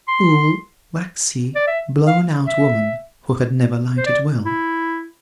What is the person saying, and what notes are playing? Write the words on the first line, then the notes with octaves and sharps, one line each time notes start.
A cool, waxy, blown-out woman, who had never lighted well.
C6
D5
E5
F5
E5
C5
D5
E4